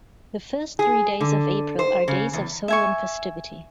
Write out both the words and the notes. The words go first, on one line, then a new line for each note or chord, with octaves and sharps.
The first three days of April are days of solemn festivity.
G#4
D3
C5
C#3
E2
E5 G#5 C#6